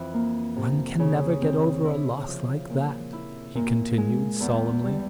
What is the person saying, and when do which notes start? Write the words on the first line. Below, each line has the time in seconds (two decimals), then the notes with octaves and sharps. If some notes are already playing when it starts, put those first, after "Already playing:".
"One can never get over a loss like that," he continued solemnly.
Already playing: F2 E3
0.14 A#3
0.56 C3
0.99 C#3
1.42 C4
1.85 E4
2.28 F3
2.70 A#2
3.13 E4
3.55 A#2
3.98 G#3
4.40 E2
4.84 G3